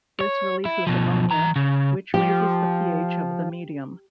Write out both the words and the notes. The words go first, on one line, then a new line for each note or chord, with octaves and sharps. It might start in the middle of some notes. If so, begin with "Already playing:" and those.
This releases ammonia, which raises the pH of the medium.
C#5
E4
B2 F3
E3 A#5
C#3
F3 G4